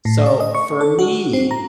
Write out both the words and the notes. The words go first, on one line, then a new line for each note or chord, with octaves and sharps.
So, for me,
A2
D5
D#5
C#6
A4
F#4
C4
A#5